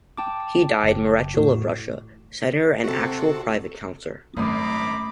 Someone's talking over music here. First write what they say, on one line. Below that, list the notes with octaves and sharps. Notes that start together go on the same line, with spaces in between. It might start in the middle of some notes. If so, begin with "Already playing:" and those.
He died Marechal of Russia, senator and actual private counsellor.
G5 A5 D6
F#1
E2 A2 F#4
C3 C4 F#4 A4
G#1 F#2 A3 A#5 B5 D6 D#6